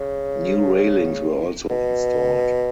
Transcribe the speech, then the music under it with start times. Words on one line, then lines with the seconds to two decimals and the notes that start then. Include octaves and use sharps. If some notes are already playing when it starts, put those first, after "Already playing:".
New railings were also installed.
Already playing: C#3
1.70 B2